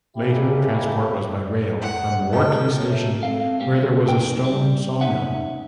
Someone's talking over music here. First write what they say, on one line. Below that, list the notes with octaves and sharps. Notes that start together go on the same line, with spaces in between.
Later transport was by rail from Wortley Station, where there was a stone sawmill.
F2 C#3 G#3 A#3 E4 G4
F#5
A3 G4 A4 D#5 F#5 G5
A#3 C#4 A#4
E5
C4 A4 F5
G3 A3 A#3 C4 C#4 G4
D#2 D#3 F3 G5
G3
C#4 D#4 C#5 E5 F#5